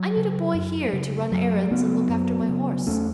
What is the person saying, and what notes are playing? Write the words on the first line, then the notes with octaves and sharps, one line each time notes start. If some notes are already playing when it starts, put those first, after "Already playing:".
I need a boy here to run errands and look after my horse.
Already playing: F#3
C#3
F#2
C#3
F#2 F#3
C#3 F#3 B3
F#2
C#3
E2 A3 C#4